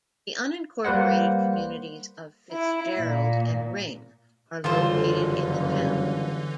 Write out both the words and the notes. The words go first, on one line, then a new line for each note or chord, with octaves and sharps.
The unincorporated communities of Fitzgerald and Ring are located in the town.
G3 A#3 B4 C5 F#5
E4
A#2
F#1 G2 D3 E3 F4 A4 C5